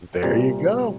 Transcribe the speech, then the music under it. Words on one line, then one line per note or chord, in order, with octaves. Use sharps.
There you go.
C2 A#2 G3